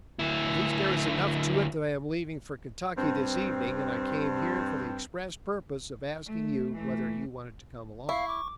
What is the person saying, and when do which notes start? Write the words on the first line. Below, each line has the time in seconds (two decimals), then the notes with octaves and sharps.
At least there is enough to it that I am leaving for Kentucky this evening, and I came here for the express purpose of asking you whether you wanted to come along.
0.19 D2 E4
2.97 G2 C4
6.26 A3
6.73 E3 A3
8.09 E4 F5 C#6
8.28 D6